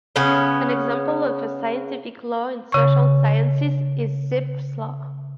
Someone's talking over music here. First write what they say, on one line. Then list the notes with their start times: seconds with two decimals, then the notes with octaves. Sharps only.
An example of a scientific law in social sciences is Zipf's law.
0.16 C#3 B3 C#4
2.72 C#3 C#6